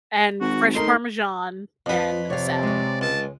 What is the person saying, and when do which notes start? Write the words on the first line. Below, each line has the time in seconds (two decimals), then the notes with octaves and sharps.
and fresh parmesan and a salad.
0.41 G#1 F#4
0.75 A3 D#4 A#4 C6
1.86 F2 F3 F4 B4
2.30 C3 C#5 D5 F5
2.63 G#3 C#5
3.01 C#2 A5